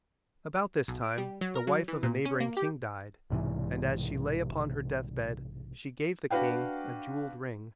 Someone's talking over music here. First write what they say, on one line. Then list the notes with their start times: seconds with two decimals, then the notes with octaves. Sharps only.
About this time the wife of a neighbouring king died and as she lay upon her death bed she gave the king a jewelled ring.
0.88 B1
1.03 D7
1.18 G3
1.41 F#3
1.55 A#4
1.67 F#3
1.88 E3
2.03 A#2
2.25 C#4
2.40 A#3
2.57 G4
3.30 B1 G#2 C3 E3
6.30 D4 F#4 B4 F5 G5